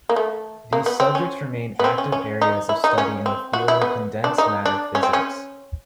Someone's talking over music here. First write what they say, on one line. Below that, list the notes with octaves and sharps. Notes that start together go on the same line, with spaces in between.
These subjects remain active areas of study in the field of condensed matter physics.
A#3
A3
A#3
B3
C4
C#4
B3
C4
C#4
C#4
D#4
E4
D#4
C#4
C4
F#4
E4
B3
D4
D#4
D4
C#4
C4
C#4